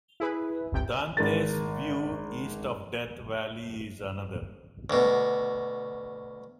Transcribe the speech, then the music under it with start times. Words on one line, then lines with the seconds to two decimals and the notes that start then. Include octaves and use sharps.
Dante's View east of Death Valley is another.
0.20 E4 G#4 B4
0.72 G1 C#2 C3 G5
1.17 G#1 A#4 A6
4.90 D2 B2